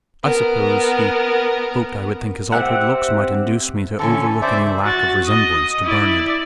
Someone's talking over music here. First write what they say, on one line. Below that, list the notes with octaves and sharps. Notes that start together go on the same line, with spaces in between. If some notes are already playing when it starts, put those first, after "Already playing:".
"I suppose he hoped I would think his altered looks might induce me to overlook any lack of resemblance to Bernard."
B3 A#4
C4 G4 E5 F#5
D3 E3 C#4 A4
C#3 C5 D5 E5
F#4 A6
D#5 D#6
E4 D5